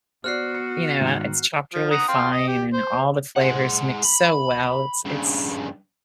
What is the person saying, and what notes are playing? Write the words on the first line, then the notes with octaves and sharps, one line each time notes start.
you know, uh, it's chopped really fine and all the flavors mix so well, it's it's
B3 F#4 C5 D5 F6 F#6 C7
C#7
G#2 D#3
F3
F#5 A#5 D#6
F5 G5 C6
D#5
G4
C5
G#3 F#5
B5
G2 C#3